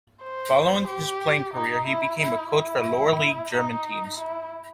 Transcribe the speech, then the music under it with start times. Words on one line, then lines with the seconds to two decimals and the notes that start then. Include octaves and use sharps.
Following his playing career, he became a coach for lower-league German teams.
0.23 C5
0.88 G4
1.54 D#4
1.87 E4
2.19 E4
2.53 E4
3.52 D#4
4.17 E4